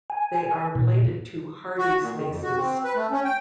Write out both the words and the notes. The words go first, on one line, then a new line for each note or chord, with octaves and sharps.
They are related to Hardy spaces.
G#5
A#2
F#4
A#2
D#3
F2
F#4
C4
B4
A3
C#4
G5